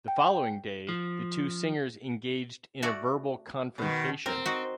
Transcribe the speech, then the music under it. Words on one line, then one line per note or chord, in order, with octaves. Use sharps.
The following day, the two singers engaged in a verbal confrontation.
G5
F3
A3 F#4 D5
B2 D#3
C4 A#4
D#4 F#4